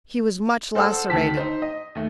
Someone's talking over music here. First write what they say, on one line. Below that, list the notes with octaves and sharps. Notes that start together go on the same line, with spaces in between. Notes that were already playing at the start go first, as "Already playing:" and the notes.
He was much lacerated.
A4 C5 D5 F#5 A5 E6
D2 D#3 A5 B6
D#4 C5
D#5
D#2 A3